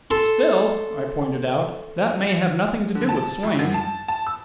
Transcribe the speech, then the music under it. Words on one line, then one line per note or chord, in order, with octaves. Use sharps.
"Still," I pointed out, "that may have nothing to do with Swain."
A4 C6
D3
A5
F2
F#2
A5
A5
E6